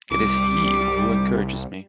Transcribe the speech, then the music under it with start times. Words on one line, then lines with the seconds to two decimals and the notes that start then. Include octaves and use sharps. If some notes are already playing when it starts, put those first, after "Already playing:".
It is he who encourages me.
0.11 C2 G3 D6